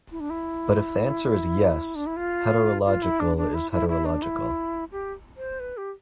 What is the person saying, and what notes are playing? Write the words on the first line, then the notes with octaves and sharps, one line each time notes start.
But if the answer is 'yes', "heterological" is heterological.
E4
D4
E4
D4
E4
F4
F4
E4
D4
D4
E4
E4
E4
D4
E4
G4
C5
B4
G4